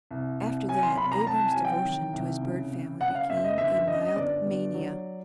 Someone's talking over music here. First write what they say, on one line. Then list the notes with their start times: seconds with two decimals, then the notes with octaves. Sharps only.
After that Abram's devotion to his bird family became a mild mania.
0.11 C2
0.40 C2
0.68 F#3 G#5
0.83 C6
0.97 C2 B5
1.12 A#5
1.27 C2 A5
1.46 G#5
1.55 F#3
1.65 G5
1.85 D#3
2.13 C2
2.42 C#3
2.72 C#3
3.01 C#3 F#5
3.15 F5
3.30 F#1 E5
3.44 D#5
3.58 G1 E5
3.73 E5
3.87 F#2 D#5
4.02 D#5
4.16 G1 D5
4.46 G1
4.74 F#3